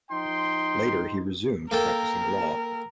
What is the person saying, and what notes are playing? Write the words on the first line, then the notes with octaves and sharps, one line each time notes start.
Later he resumed practicing law.
F3 D#4 G5 C6
A#3 A4 A#4 G5